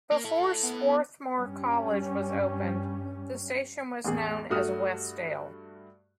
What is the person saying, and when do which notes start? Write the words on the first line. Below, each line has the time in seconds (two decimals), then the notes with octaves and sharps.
Before Swarthmore College was opened, the station was known as Westdale.
0.12 A#3
0.24 E4 A4
0.63 B3
1.36 G2 G3 C#4
4.05 A1 E2 G#4
4.50 G2 A3 F#4 D#6 F6